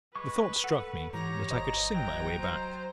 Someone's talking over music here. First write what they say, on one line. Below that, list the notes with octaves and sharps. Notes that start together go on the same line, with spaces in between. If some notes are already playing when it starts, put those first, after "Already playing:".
The thought struck me that I could sing my way back.
G#3 B4 C#6
A4 F#5
G#2 E3 G4 C#5 A#5
G1 C5 D#5
F#3 G5
C5